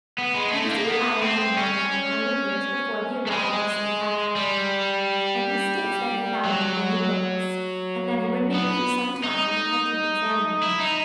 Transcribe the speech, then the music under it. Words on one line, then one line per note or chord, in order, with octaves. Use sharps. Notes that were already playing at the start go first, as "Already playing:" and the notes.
He visited Ireland more than a hundred years before the arrival of St. Patrick; and he states that he found there many books, and that he remained for some time in the country examining them.
B3
G#3
A3
A#3
B3
C4
C#4
A3
G#3
G3
F#3
B3
D#4
E4
D#4